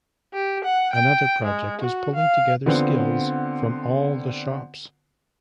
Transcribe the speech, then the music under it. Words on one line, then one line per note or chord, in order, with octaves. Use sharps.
Another project is pulling together skills from all the shops.
G4
F#5
G5
G#3
F#4
F5
D3 B3 C4 F4